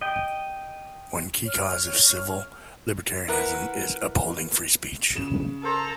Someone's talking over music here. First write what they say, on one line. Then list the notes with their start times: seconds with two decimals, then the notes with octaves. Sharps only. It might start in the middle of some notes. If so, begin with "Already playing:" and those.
One key cause of civil libertarianism is upholding free speech.
0.01 D#5 G5
1.45 C#5 F6
3.28 E4 A#4 B4 F#5
5.15 C#3 E7
5.63 A4 A#4 C5 A#5